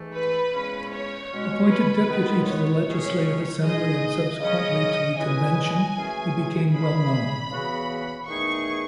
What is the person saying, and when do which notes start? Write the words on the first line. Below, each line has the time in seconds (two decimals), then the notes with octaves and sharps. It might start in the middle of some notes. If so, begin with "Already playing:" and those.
Appointed deputy to the Legislative Assembly and subsequently to the Convention, he became well-known.
Already playing: G#2 E3 A3
0.14 B4
0.53 E2 C#3 G#3 C#4
0.92 C#5
1.31 B2 G#3 C#4
1.69 B4
2.08 D#3 G#3 B3
2.46 C#5
2.85 E2 D#3 G#3 C#4 G#4
3.63 G#3 D#4 G#4 D#5
4.40 C#3 F#3 C#4 D#5
5.17 G#3 C#4 E4 B4 D#5 G#5
5.96 F#2 E3 A3 C#4 G#4
6.72 C#3 G#3 C#4 G#4 B5
7.50 E2 C#3 E3 B3 F#4
8.27 E2 D#3 A3 D#4 G#4 C#6